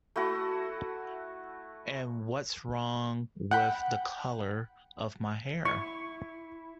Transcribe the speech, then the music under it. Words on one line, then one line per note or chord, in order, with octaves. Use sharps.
And what's wrong with the colour of my hair?
A3 E4 F#4
F#5 G5 B5
E4 C#6